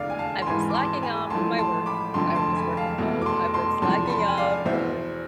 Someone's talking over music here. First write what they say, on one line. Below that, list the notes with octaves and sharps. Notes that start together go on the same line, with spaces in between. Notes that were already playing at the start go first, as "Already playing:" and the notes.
I've been slacking off with my work 'cause I would just work from home. I've been slacking off with,
Already playing: F1 E2 D3 D5 F5
G#5
F5 A5
C6
G#1 G#2 E3 G#5 B5
D6
A5 C6
G#5 B5
A1 A2 F3 A5 C6
A5 C6
B5 D6
F1 F2 D3 F3 A5 C6
A5 C6
G#5 B5
F5 A5
F1 E2 B2
D6
A5 C6
A5 C6
E2 C3 F3 A5 C6
B5
A5 C6
G#5
D5 F5
E2 B2 C5 E5